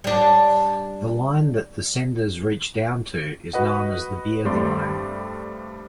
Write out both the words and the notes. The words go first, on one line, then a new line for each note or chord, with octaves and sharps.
The line that descenders reach down to is known as the beard line.
G3 D4
F#4 B4 D#5 F#5
G2 G3 A3 C4 D5 C6